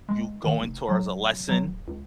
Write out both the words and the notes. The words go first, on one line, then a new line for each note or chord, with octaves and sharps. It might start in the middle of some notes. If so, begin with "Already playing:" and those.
you going towards a lesson
G#3
D#3
F1
F#3
F#3
D1
C#2